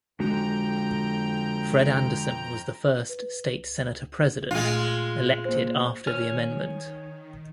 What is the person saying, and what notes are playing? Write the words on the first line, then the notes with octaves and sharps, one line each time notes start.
Fred Anderson was the first state senate president elected after the amendment.
F2 D3 G#3 F#4 G5 A#5
B4
A#2 G#3 A3 F4
A#3 C5
D#3 C#5 G#5 F6